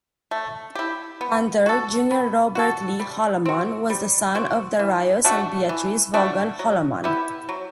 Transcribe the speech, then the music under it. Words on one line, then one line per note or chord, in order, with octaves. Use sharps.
Hunter, Jr.. Robert Lee Holloman was the son of Daraious and Beatrice Vaughan Holloman.
A3
E4 G4
B3
F#4 A4
B3
F#4 A4
G3
C4 F#4
G3
C4 F#4
E3
A3 D4 F#4
E3
A3 D4 F#4
F#3
B3 E4 G4
F#3